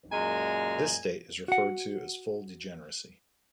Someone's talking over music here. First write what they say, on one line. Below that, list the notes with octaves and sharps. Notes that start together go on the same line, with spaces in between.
This state is referred to as full degeneracy.
F#2 A#2 G#3 G#5 A#5
F#4 F#5